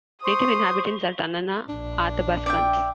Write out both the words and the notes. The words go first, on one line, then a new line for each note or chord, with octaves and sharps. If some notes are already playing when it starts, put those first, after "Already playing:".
Native inhabitants are Tanana Athabaskans.
C5 C6 C#6 D#6
A#1 D4
D5 E5 G5